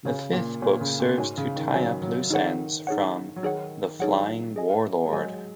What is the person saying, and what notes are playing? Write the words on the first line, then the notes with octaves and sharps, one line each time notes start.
The fifth book serves to tie up loose ends from "The Flying Warlord".
C#3 F#4 C#5 G#5
A#2
A#2 F#4 C#5 G#5
C#3
A#2
G#2 F#4 C#5 G#5
C#3
D#3
F#3 F#4 C#5 G#5
F#3
D#3 D#4 G#4 C#5 F#5
D#4 G#4 C#5 F#5
F#3
D#3 D#4 G#4 C#5 F#5
F#3 D#4 G#4 C#5 F#5
G#4 D#5 G#5
G#3
F#3 G#4 D#5 G#5